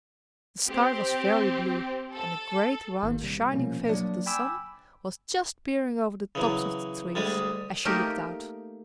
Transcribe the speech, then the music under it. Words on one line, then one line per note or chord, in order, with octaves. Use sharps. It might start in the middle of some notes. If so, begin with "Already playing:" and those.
The sky was very blue; and the great, round, shining face of the sun was just peering over the tops of the trees, as she looked out.
C4 G4
A4
G#1 D#3 A#3
C3 G3
B2 F3 A#3 C#4
F#3 A#3 D4 D5
G5 G#5 B5 D6 E6
C#3 E3 F#3
D2 G3 G#3 D#6
A3 A#3 D#4 G4 A#4